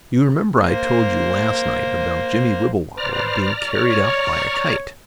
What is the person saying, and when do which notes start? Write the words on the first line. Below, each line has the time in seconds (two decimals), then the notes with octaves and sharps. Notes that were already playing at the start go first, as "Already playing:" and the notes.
You remember I told you last night about Jimmie Wibblewobble being carried up by a kite.
0.63 A#3 C5
2.97 B4 C5 D5 A#5 F6
3.67 C#5